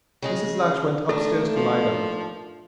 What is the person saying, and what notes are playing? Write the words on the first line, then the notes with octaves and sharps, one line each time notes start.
Mrs. Latch went upstairs to lie down.
C#3 G#3 G#4
D#3 A3 A#3 D4 A4
F3